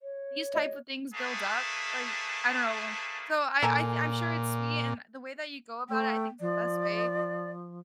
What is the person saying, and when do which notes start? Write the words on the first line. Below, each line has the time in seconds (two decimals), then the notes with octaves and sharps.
these type of things build up, like I don't know, so I I thi I'm sure it's sweet, and the way that you go about it, I think's the best way.
0.02 C#5
0.54 D5 D#5
1.14 A3 A#3 C#4 G#4 B4 A5
3.62 A#2 A4 A#4 G#5
5.90 A3 G5
6.40 F3 D5